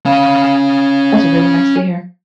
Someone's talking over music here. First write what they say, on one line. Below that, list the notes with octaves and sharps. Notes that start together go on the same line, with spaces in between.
That's really nice to hear,
C#4 F5